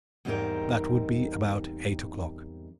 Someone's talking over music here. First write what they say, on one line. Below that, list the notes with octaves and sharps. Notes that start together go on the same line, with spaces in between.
That would be about eight o'clock.
E2 G#2 G3 C4 D#4 A#4